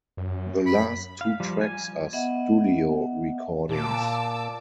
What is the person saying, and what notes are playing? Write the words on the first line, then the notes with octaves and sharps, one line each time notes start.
The last two tracks are studio recordings.
F#2
B5
F5
F3 G3
G#5
B3 D#5 E5 F#5
A#2 A5 D6 E6